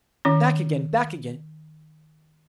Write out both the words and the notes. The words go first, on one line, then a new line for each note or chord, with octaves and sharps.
'Back again! back again!
D#3 C#4